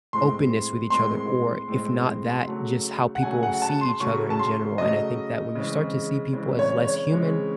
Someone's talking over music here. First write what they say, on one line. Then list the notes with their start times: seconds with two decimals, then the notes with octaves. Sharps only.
openness with each other or if not that, just how people see each other in general, and I think that when you start to see people as less human
0.13 A2 G#3 C4 C6
0.90 A2 G#3 C4 C6
1.68 A2 G#3 C4
2.45 C#3 F#3 A3
3.15 F#5
3.23 C#3 F#3 A3 G#5
3.43 F#5
3.62 A5
3.81 C6
4.00 C#3 F#3 A3 C#6
4.30 A5
4.39 C6
4.78 C#3 F#3 A3 D#5
5.55 C#3 E3 G#3 C4
6.33 C#3 E3 G#3 C4
6.59 C#5
6.85 C#5
7.11 C#3 E3 G#3 C4